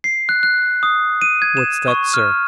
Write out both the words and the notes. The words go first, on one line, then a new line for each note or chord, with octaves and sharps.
"What's that, sir?"
C7
F#6
F#6
D#6
D#7
G#6
E7
C#6
F6